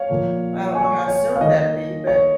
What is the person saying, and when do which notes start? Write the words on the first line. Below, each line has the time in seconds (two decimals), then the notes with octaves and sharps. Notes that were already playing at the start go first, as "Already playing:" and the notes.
I don't know how soon that'll be, but
Already playing: C#5 F5
0.10 A#2 F3 A#3
0.75 G#5 C#6
1.08 C#5
1.35 F5
1.41 D#3 A#3 D#5
2.07 C#5